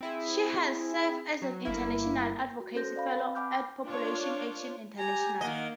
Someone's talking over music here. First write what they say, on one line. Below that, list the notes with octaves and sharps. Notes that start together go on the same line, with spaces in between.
She has served as an international advocacy fellow at Population Action International.
C4 E4 G#4
F#3
G1 A#3 E4
F#4
C#4 F#4 A4 C5 G6 A#6
D5 F5 B5
C4 B4
F#5 G#5 B5 D6 F6 G6
D4 F4 C5 C#5
G4 G#5 A#5
D#3 A#3 D#5 F#5